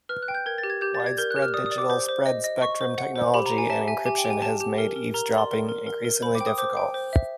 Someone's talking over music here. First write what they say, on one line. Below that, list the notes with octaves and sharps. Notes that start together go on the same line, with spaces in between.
Widespread digital spread spectrum technology and encryption has made eavesdropping increasingly difficult.
B4 F6
F#6
G5
G6
A#4 G#6
A6
G4
G#6
G4 G6
A6
D5
G#6
A#4 G6
F#6
G4
F6
D5 D#6
D#6
D5
D6
C5
C5
D#5
D#5
D#5 C#6
C5
F#5
C5
G4 B5
A#5
G4
G#5
E5 A5
E5 G#5
G4 G#5
G5
G4
G#5
G4 A5
G4
A#4
A#4
A#4 A#5
D5
C6
A#4
A#4
A#4
A#4
C5 B5
D6
G5
D#6
C5 D6
G5
C5
E5